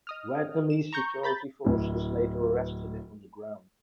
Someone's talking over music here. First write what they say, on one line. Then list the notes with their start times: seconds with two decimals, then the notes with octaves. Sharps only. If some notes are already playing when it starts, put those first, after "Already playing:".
Vietnamese security forces later arrested him on the ground.
0.07 D#5 D#6 F6
0.70 E7
0.93 A#5 C#6 G6
1.23 A#5 B5 G6 A6
1.65 D1 E4